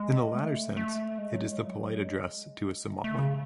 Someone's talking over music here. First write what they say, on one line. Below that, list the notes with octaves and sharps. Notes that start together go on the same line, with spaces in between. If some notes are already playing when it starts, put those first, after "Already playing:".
In the latter sense it is the polite address to a Somali.
Already playing: G#3
A3
A3
G#3
F#3
G#3
F#3
G#3
A3
A3
C#3